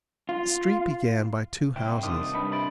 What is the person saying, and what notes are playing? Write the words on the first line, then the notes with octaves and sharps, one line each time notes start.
The street began by two houses.
F4
C2 E4 G5 C6
D3 D#3 A3 F4 D#6
G2 D#4 B5
E4 C5 B5 A6 D7